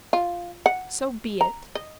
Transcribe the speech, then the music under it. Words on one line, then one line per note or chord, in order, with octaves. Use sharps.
So be it!
F4
F#5
A#5
D#5